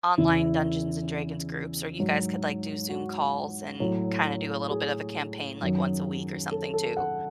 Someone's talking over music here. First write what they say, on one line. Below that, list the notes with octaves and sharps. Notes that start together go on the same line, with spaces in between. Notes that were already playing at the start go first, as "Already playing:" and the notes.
online Dungeons and Dragons groups, or you guys could, like, do Zoom calls and kinda do a little bit of a campaign, like, once a week or something too,
E2 C#3 E3 E4
G#2 F#3
F#4
A2 F#3
G#4
F#2 D#3 F#3
A4
A4
F#5